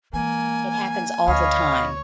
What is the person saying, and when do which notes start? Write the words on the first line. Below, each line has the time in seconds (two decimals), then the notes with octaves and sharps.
It happens all the time.
0.13 E3 G#3 A#3 G#5
1.28 D2 C#5 D#5 F5 B5